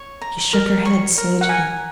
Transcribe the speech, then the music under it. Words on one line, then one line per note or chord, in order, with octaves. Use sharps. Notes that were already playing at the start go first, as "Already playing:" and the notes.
She shook her head sagely.
Already playing: C#5
A#5
A#4
C#5
A#4
F#5
G#5 A#5